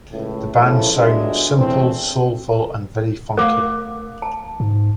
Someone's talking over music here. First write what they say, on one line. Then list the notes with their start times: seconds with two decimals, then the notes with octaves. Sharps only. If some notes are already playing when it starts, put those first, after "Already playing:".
The band's sound was simple, soulful and very funky.
0.12 C#2 A2
0.57 A2 C#3 E3 F3 A3
0.93 G1 F#3 G#3 D4 E5
1.56 E2 A2 A3 C4
3.37 A3 A#4 F5 D6
4.22 A5
4.60 G#2